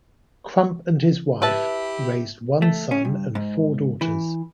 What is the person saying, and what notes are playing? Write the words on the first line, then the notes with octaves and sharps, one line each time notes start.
Crump and his wife raised one son and four daughters.
E4 G4 B4 E5 A5
A3
C#4
G2
G#2
E3